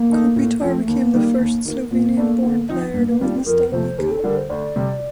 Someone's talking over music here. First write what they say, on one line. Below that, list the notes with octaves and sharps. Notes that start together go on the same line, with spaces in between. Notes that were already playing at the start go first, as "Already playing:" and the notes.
Kopitar became the first Slovenian-born player to win the Stanley Cup.
Already playing: A#3
D#3 A3 D#4
A2
F3 A3 C4
A3
D#2 A#3
D#3 G3
D#2
D#3 A#3
A#2 A#3
A3 D4
D3
F3 C4 D#4
G2 A#3
A#3
D#3 G3 C4 D4 F4
C4
F2 A#4
C3 F3 A3 C5
D#2 G4
A4
D3 G3 D4 A#4
C5
D2 D5
C3 G3